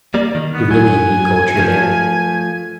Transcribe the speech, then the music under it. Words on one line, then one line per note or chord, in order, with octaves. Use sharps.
a really unique culture there.
G3 A#3 D5
D#3
B3
F#3 G#5
F3 A3